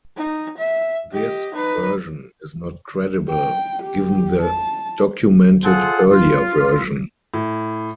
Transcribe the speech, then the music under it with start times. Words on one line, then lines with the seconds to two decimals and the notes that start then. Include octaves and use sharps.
This version is not credible, given the documented earlier version.
0.17 D#4
0.57 E5
1.12 G4 D#5
1.54 D#4 B4
3.30 G5
3.82 G4
4.41 A5
5.64 F4 G#4 A4 C5 F#5
6.11 F4
7.34 A2